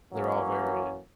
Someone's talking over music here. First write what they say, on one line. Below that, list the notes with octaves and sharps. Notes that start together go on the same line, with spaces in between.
They're all very
E3 F#3 A#3 C#4